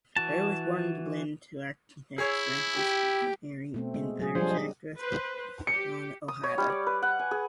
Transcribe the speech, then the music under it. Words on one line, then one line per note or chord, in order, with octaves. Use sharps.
Barry was born in Dublin to architect Francis Barry and Irish actress Joan O'Hara.
E3 F#4 A5
E4 G#4 C#5 E6
G4
B2 A3 C4
G#3
F#3 G#4
F3 G3 D4 G#4 C5
D#5
B4 C5
G4 C#7
D#6
C#5
G3
D5
B4
F#5
G#5
G#4